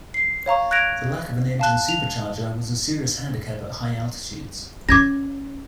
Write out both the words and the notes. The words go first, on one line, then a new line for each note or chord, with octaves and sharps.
The lack of an engine supercharger was a serious handicap at high altitudes.
C7
C#5 F5 A#5 C#6
F#6 G#6 A#6 D7 F7
F5 A5 F#6
F7
C#4 D6 G#6 A#6